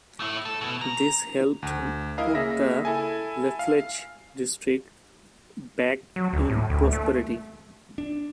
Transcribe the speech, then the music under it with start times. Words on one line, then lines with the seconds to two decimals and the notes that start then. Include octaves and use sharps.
This helped put the Lafleche district back in prosperity.
0.20 A3 E4
0.45 A4
0.61 B2
0.81 A#5
1.63 D2
2.18 E4 A#4 D#5 F5 A#5
2.35 C#3 A#3 G#4 E5 A#6
2.85 E4 A4 G#5
3.59 F5
6.16 F#3
6.33 D2
6.50 A2
6.70 D2
6.92 A3
7.98 D4